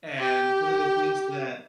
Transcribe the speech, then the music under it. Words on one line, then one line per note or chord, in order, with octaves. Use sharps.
and, one of the things that
G4